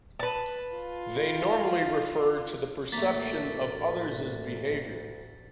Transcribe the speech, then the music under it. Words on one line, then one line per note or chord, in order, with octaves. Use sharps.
They normally refer to the perception of others' behavior.
B4 A5
F4
A1 D2 A3 A#3 A6 B6